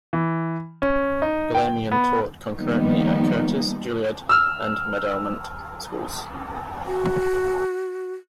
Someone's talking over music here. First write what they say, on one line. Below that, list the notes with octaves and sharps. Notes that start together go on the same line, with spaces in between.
Galamian taught concurrently at Curtis, Juilliard, and Meadowmount schools.
E3
C#4
D#4
G5
B3
D#3 F3 G3 A#3 B3 D#4
E6 F6
F#4